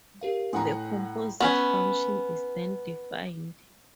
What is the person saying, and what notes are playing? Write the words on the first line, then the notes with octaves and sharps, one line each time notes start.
The composite function is then defined.
G4 A#4 F5
A2 F#5 G#5 A#5 C6 D#6
B3 C#4